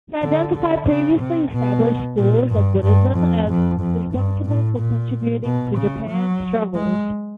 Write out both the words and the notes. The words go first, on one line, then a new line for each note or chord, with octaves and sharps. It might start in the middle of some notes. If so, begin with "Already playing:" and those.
He identified previously established schools of Buddhism as responsible for contributing to Japan's struggles.
D3
D3
C#3
C3
B2
A#2
G2
G2
F2
F2
F2
G2
A2
A#2
B2
C#3
F#3
G#3